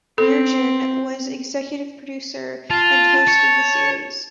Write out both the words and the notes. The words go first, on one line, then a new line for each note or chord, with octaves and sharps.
Yergin was executive producer and host of the series.
C4 A4
F4 A5
C#5